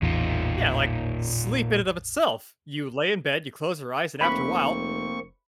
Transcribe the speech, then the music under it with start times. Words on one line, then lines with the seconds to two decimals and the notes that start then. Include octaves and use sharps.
Yeah, like, sleep in and of itself. You lay in bed, you close your eyes, and after a while,
0.02 A1 E2 A#2 D#4 F4
4.21 F1 A#3 C4 B5 C#6